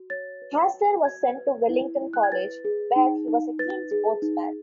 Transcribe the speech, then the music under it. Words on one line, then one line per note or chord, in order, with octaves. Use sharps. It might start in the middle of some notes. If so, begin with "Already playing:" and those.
Hasler was sent to Wellington College, where he was a keen sportsman.
Already playing: F#4
C#5 A6
B4
F#4
F#4 G#6
B4
E4
E4
F#6
G#6
B4 A6
G#4
D#4
D#4
B4 A6
G#4
D#4